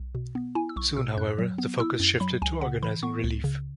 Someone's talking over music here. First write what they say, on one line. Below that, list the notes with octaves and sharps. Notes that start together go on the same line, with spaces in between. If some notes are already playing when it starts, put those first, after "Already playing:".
Soon, however, the focus shifted to organising relief.
Already playing: B1
B2
B3
E4 G#5
E6
B1 C#6
B2 E6
F#2 F#6
F#3
B3
E4 E6
F#2
F#3 B5
C#2 G#5
C#3 F#5
E3 B5
B3 C#6
C#2
C#3